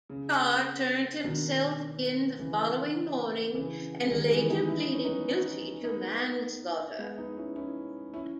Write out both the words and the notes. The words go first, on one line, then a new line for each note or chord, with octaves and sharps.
Carr turned himself in the following morning and later pleaded guilty to manslaughter.
C#3
B2 D#3
C#3 E3
C#3 E3
G#3
D#3 G3
E3 G#3
B3 D#4
E4
D#4
C#4
B3 D#4
B3 D#4
G#3 B3
B3 D#4
C#4 E4
C#4 E4
C#4 E4